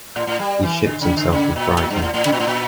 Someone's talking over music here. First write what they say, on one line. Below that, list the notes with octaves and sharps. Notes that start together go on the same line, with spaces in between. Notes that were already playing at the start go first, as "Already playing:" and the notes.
He ships himself on Friday.
A2
A2
G3
E3
D3
C#3
D3
C#3
A#2
A#2
G2
A2
A2
C#3
A#2
A2
A#2